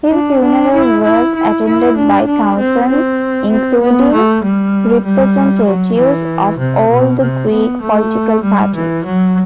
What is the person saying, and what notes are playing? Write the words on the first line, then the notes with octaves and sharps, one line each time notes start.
His funeral was attended by thousands, including representatives of all the Greek political parties.
D4
D4
E4
E4
E4
E4
D4
D4
C4
C4
C4
B3
A3
G3
G3
F#3
E3
C3
B2
C3
B3
A3
G3
E3
F#3